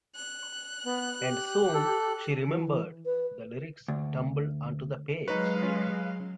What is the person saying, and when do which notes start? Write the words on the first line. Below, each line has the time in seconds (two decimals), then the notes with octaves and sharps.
And soon, she remembered, the lyrics tumbled onto the page.
0.17 F#6
0.84 B3
1.20 G4
1.74 A4
2.47 E3
3.06 B4
3.88 D2
5.28 F#3 G#3 D#4 B4 C#5 F5
5.62 C#4 F4